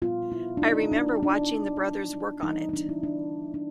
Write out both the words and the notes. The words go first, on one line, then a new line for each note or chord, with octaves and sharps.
I remember watching the brothers work on it.
A#2 G3 B3 F4
E4
D4
D#4
D4
D4
E3 G3 B3 D#4
D#4
D4
E4
D4
D4